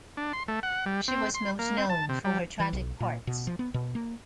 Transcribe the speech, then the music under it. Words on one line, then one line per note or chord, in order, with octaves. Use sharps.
She was most known for her tragic parts.
D4
C6
A3
F#5
G3
C4
C6
A#3
C4
A5
C3
G3
E3
B1
A#2
B2
F3
B3
B2
A#3